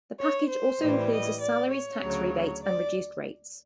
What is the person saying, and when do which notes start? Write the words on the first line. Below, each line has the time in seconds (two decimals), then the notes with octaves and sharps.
The package also includes a salaries tax rebate, and reduced rates.
0.20 C#5
0.50 C5
0.80 A2 E3 G3
1.11 D#5
1.41 D5
1.71 C#5
2.02 D2 C#3 F#3
2.63 D5